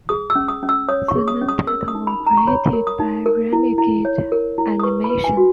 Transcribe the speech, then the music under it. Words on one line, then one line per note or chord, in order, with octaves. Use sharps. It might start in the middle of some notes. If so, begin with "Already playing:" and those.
The main title were created by Renegade Animation.
G#4 D#6
E6
C#4
D#6
C#4
E6
C#5 D#6
C#6
G#4
D#6
C#4
D#6
A#4 E6
D#6
D#4
B5
D#4
A#5
C#6
C#5 B5
A#4
D#6
D#4
A#4
E4
E4
C#5
A#4
E4
D#6
B4 C#6
B5
B4
G#5
F#4